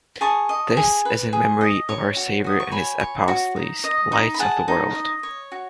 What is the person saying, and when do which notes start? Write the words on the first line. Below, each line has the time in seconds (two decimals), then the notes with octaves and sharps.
This is in memory of our Savior and his Apostles, lights of the world.
0.21 G#4 A5 C#6
0.49 D#5
0.77 G#4
1.05 B4
1.33 G#4
1.61 D#5
1.89 C#5
2.17 F#4
2.44 F#4 D#6
2.60 C#6
2.72 C#5 G#5 B5
3.00 C#5
3.28 F#4
3.56 D#4
3.84 D#5
4.12 D#4
4.34 B5
4.39 G#4 F#5 A5
4.68 D#4
4.95 D#5
5.23 C#5
5.52 F#4